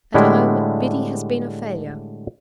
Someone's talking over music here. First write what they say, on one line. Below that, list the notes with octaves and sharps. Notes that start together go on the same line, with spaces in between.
'At home, Biddy has been a failure.
A2 D3 G3 G#3 E4